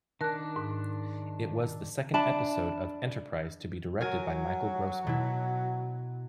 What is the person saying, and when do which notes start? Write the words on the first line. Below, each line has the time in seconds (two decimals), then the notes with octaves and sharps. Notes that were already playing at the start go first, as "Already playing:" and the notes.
It was the second episode of "Enterprise" to be directed by Michael Grossman.
0.21 D#3 D4 A#4 A5 F#6
0.56 G#2
2.14 D4 E5 A5 B5
4.01 F#3 A#4 G#5
5.07 B2 E4